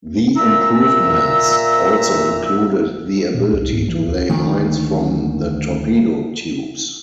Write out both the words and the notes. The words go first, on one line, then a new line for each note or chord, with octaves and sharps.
The improvements also included the ability to lay mines from the torpedo tubes.
A#2 E5 A#5 E6
A#2
C2
G#2
E3
C#2
D2 D#3